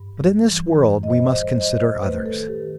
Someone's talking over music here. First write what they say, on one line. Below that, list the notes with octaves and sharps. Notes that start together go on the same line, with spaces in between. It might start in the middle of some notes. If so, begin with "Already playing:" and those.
But, in this world, we must consider others.
Already playing: G2
G3
E3
F#2
D#5
A2 C5
C5
G3
D#5
A2
C5
A3 B4
A4
D#3
G4